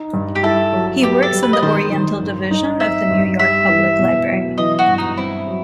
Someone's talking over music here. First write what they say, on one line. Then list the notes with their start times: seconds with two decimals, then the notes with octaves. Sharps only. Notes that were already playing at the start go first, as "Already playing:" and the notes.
He works in the Oriental Division of the New York Public Library.
Already playing: D#4
0.13 G2
0.35 G4
0.43 E4 A4
0.73 F#3
1.02 B3 G4
1.23 A4
1.33 G3
1.43 B4
1.53 D#5
1.62 D#3 C5
1.92 D#3
2.22 G2
2.51 D#4
2.80 C4 E5
3.10 G2
3.39 G3 E5
3.69 E3
3.99 B2
4.29 F#3
4.58 E3 D#5
4.79 F#4
4.87 G2
4.98 D#4
5.17 C4 E4
5.47 F#3